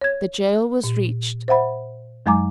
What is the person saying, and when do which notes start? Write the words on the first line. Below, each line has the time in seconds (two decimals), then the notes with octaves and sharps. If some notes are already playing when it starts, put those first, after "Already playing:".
The jail was reached.
0.01 C#5 G#6
0.84 A#2
1.48 C5 E5 F#5 B5
2.26 F#2 F#3 G#3 G#5 A#5 D6